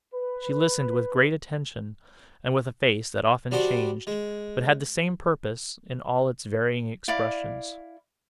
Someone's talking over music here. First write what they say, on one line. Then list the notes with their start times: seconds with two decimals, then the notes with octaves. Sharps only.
She listened with great attention, and with a face that often changed, but had the same purpose in all its varying expressions.
0.13 B4
3.51 G3 D4 F#4 C5 D5
4.07 G#3
7.08 E4 D5 F5 D6